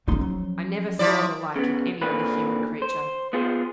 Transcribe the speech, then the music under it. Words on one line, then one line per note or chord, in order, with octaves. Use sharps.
I never saw the like in any other human creature.
C2 F3 C#4 D#4 C6
F#3
F3 E4 D5
C#3 B3
A#2 D3 D#3 A#3 C4 B4
C5
B3 F4 G#4 C5